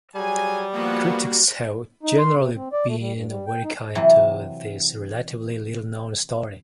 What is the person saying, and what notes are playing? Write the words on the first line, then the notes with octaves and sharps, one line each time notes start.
Critics have generally been very kind to this relatively little-known story.
F#3 G3 G#4 G#5
F3 A#3 B3 F#4
D#4
C6
C3
C4
D5
A3
G3
G2
G3
G5
D#4
C3 E3 F#3